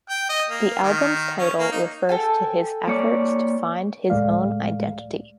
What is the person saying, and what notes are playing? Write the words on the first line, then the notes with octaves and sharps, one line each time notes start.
The album's title refers to his efforts to find his own identity.
G5
D#5
A#3
D#3
C#4
A#3
D#4
A4 G5 G#5
A#3 C#5 D5
C#2 A2 G#3 A3 D5 F5